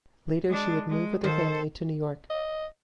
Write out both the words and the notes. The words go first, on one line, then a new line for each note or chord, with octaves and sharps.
Later she would move with her family to New York.
G#3 D4
G#3
D#3 A4 C5
D#5